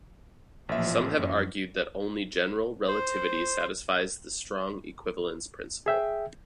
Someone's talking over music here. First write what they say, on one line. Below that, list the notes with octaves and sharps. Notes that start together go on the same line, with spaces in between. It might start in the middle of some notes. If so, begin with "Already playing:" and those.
Some have argued that only general relativity satisfies the strong equivalence principle.
A1 A#2 F3 E5
F#2
C5
G#4 E5 G5